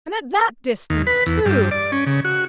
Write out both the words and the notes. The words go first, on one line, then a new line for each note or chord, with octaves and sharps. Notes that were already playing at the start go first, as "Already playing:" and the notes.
And at that distance, too!
D#2
B4
E2
G2
D5
C#4
C#3
F#4